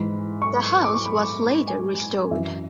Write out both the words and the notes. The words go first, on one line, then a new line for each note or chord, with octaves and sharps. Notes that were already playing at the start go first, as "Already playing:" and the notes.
The house was later restored.
Already playing: G#2 E3 B5
C#6
D6
C#6
B5
G#5
F#2 E3 E5